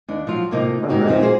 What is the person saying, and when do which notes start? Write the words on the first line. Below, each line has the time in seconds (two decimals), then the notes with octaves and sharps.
Oh, great.
0.08 D#2 D4
0.27 F3 F#3 F4 F#4
0.51 A2 C3 A#3 D#4 F4
0.89 G#2 A#3 D#4 F#4 G4
1.06 E2 A#2 F3 C4 D#4 E5
1.21 A#3 F4 F#4 G#4 C5